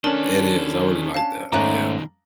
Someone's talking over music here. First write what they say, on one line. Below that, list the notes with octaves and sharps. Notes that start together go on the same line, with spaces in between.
It is, I really like that, yeah.
D#3 C#4 D4 A4 A#4 A5 F#7
F5 A5
G#2 B2 D#3 A3 C#4 A#5 D6 F#6